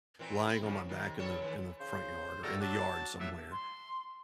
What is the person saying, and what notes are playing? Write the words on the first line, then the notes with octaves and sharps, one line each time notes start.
lying on my back in the in the front yard or in the yard somewhere
A#2 E3 C4
C4 E4
E2 C#3 F3
C3 D#3
G2 A4 C#5
D#3 E3 A3
C#3 C5
D3 G3 A3 A4 A#4
F#3 D4 A5
A2 F#3 E5
C6